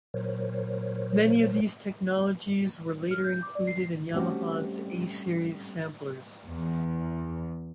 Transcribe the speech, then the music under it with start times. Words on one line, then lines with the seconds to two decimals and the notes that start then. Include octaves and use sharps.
Many of these technologies were later included in Yamaha's A-series samplers.
0.14 A#2 F#3 A#4 C5 C#5
3.11 F6
3.24 G6
3.43 D6
3.55 D5
3.67 C7
4.13 G3 A3 C4 C#4 F#4 G4
6.45 E2